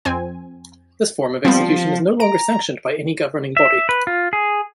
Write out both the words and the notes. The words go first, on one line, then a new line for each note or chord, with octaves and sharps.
This form of execution is no longer sanctioned by any governing body.
F2 C4 G#5
F3 G3 B3 C4
A#5 D7
E5
B4
F4
G#4